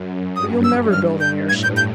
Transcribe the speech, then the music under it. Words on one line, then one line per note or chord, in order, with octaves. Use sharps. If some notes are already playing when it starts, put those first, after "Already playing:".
"But you'll never build an airship!"
Already playing: F#2
G2 D#6
G2 E6
F6
G6
A2 G#6
G6
G6